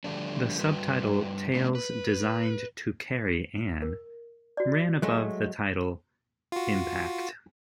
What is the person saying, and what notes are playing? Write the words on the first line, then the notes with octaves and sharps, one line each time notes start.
The sub-title "Tales Designed to Carry an" ran above the title "Impact".
D3 F3 G3 A3 D4
G2 G3 F#4 B4
B2 G#3 A#3 C#4
B4
A#4
F#4 D5
F#3 G#3 A3
F4 F#4